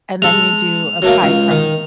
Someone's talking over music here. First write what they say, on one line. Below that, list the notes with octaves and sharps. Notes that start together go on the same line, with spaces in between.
and then you do a pie crust
G#3 A4 F7
F#3 A3 A#3
C#2
D#3